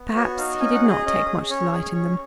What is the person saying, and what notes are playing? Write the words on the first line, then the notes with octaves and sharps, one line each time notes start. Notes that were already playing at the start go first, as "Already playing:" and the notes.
Perhaps he did not take much delight in them.
Already playing: B3
F#4 C#5
D#4 F5
C#4 G#5
F#5
G#4
D#5
C#4 D#5
G#4
C#4 C#5
G#4
C#4